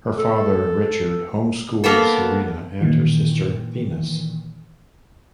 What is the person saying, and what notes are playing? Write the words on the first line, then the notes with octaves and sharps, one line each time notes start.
Her father, Richard, home-schooled Serena and her sister Venus.
A4
A#3 B3 A4
A#2 D#3 E3